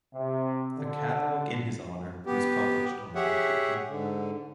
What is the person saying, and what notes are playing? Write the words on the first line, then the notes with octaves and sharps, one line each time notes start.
A catalog in his honor was published on that occasion.
C3
D3
B3 G4
G4 G#4 C#5 E5 F#5
G#2 D3